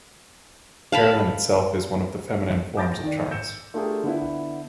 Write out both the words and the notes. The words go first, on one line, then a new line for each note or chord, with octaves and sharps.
Caroline itself is one of the feminine forms of Charles.
F5 A5 B5
D6 G6 A6 A#6 D7
D#3 D5
E6 G6 C#7 D7 E7
A3 D4 F4 G4 G#4 A#4
D3 B3 D4 E4